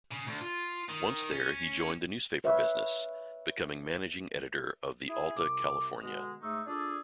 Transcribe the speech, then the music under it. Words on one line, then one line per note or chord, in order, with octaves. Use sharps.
Once there he joined the newspaper business, becoming managing editor of the "Alta California".
C#3
D2
F4
D#3
C#4
B4 C#5 E5 F5
E4 G#4
C2 C3 D6
B2 D3 G#3
G#2 A3 D#4 C#6 E6
D4 F4 G#4 A4 D5